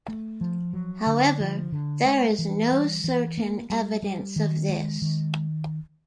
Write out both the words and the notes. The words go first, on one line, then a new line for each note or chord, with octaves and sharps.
However, there is no certain evidence of this.
A3
F3
F#3
D3
F3
D3
G#3
E3
G3
E3
A#3
G3
G3
D#3
G#3
D#3